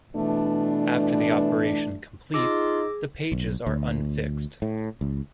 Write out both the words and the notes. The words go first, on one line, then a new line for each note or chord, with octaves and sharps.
After the operation completes, the pages are unfixed.
B2 E3 A3 D4
D#4 F4 G#4 D6 E6 A#6
B1
D2
A2
C#2